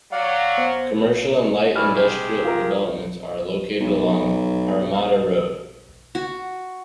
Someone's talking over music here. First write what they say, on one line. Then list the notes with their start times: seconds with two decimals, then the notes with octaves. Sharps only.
Commercial and light industrial developments are located along Parramatta Road.
0.12 F#3 D5 F5 F#5
0.58 B3 C5
1.76 C#4 E4 D5 F6
1.94 C3 G4 G#4
2.45 F4 A#4
3.80 B1
6.15 F#4